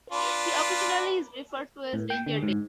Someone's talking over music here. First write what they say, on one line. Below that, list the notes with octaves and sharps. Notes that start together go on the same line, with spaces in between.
He occasionally is referred to as 'Danger Dave'.
D4 F4 B4
A2
G5
D3
G#2